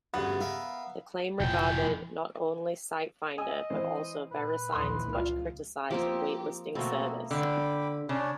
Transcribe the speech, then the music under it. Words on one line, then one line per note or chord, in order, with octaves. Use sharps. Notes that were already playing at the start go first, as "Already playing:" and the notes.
The claim regarded not only Site Finder, but also VeriSign's much-criticised Wait Listing Service.
D2 G2 C#3 B3
A#4 E5 F5
F1 A#2 E3 G5
D#5 G#5 D#6 E6
E3 C4 C5
A#2 B4
A#1 D#2 E3 C6 D#6
C#2 F4 D5 F6
F3 A#3 C4 G4
B2 A3 A#3 C4 F#4 A4
D3 G5 B5 D6
C#3 D4 C#5 D5